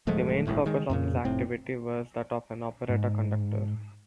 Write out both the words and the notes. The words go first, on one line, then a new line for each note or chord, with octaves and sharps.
The main focus of his activity was that of an operetta conductor.
D1 F3 G#3 A3
G1 C2 A2
D#3 G#3
F2 A#2 C#3
F1 A2 C4
G#2